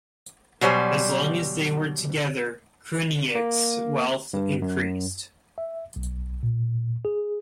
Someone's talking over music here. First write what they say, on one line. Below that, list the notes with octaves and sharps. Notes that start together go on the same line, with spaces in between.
As long as they were together Cruinniuc's wealth increased.
B2 F#3 G3 C5 G#5
A#3
G2
F#2
E5
B1
A#2
G#4